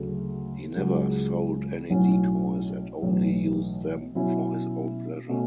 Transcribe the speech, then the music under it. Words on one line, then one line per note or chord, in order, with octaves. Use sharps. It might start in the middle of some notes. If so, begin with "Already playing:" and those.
He never sold any decoys and only used them "for his own pleasure".
Already playing: D2 C#3 F#3 A3
C#2 C#3 F#3
B1 A2 F#3 C#4
B1 A2 E3
B2 F#3 C#4 E4
B2 A3 C#4